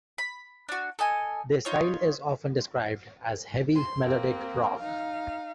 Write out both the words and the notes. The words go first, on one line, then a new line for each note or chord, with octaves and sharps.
Their style is often described as heavy melodic rock.
B5
D4 F#4
A4 D#5 G#5
D#4 F4 C#5
C6
A#3 C4
D#4 F5